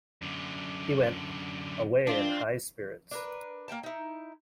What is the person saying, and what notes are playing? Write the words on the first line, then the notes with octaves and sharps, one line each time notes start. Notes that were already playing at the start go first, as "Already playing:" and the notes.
He went away in high spirits.
F#2 D3
C4 D4 F4
D4 A#4 B4
A#3 D#4 G5 A5
D#4 E4